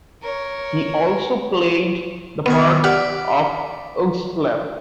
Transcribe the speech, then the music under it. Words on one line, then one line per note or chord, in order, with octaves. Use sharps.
He also played the part of Ugslap.
A#4 C#5
B2 D#3 B3 G#5
G4 D5 E5 F#5 F6